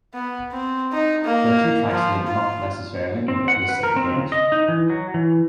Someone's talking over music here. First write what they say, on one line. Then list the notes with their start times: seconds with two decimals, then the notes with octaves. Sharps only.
The two tracks need not necessarily be of the same gauge.
0.14 B3
0.52 C4
0.93 D#4
1.25 A#3
1.91 F3
2.27 F4
3.28 C4
3.48 F#5
3.69 B4
3.83 A#4
3.96 C4
4.14 C#3
4.32 D#5
4.52 D#4
4.68 E3
4.90 F#3
5.14 E3